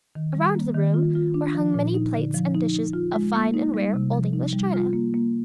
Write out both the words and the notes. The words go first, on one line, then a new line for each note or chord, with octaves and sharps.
Around the room were hung many plates and dishes of fine and rare old English china.
D#3
G3
A#3
D#3
F4
F4
D4
F3
A#2
D#4
D3
F3
D#4
D#4
F4
G#3
A#3
D#4
G3
C3
F3
D#4
G3
F4
A#3
A#3